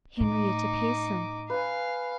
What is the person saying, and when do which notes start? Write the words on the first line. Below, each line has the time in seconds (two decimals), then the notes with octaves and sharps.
"Henrietta Pierson."
0.20 A2 D#4 D6
1.50 B4 F5 G#5